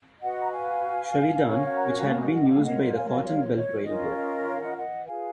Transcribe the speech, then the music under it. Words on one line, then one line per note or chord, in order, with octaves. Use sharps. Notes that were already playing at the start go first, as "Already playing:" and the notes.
Sheridan, which had been used by the Cotton Belt Railroad.
F#4 B4 D#5 F#5
A#5
F5 G#5
C#4 F#4 A#4 C#5
G#5
F#5 A#5
F5 G#5
C#5
D#5
F5
D#5 F#5
C#5 F5
F4 A#4 C#5 D#5 F#5
F5 G#5
F5 G#5
C#5 F5
C#5
C#5
C#4 F4 A#4 D#5
C#5
D#5
C#5 F5
D#5 F#5
D#5 F#5
F4 G#4 B4 F5 G#5